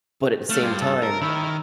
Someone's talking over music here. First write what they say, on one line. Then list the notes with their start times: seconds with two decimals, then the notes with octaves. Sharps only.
but at the same time,
0.49 A3 F5
0.62 G2 F4
0.80 A4
1.03 A#4
1.21 D#3 E4